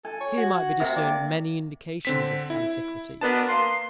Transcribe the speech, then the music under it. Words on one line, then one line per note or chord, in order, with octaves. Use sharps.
Here might be discerned many indications of its antiquity.
A4 G#5
C#5
F#4
C3 A#3
D5
D3 C4 B6
E4
B2 B3 D4 A#4 B4 A5
A#3 C6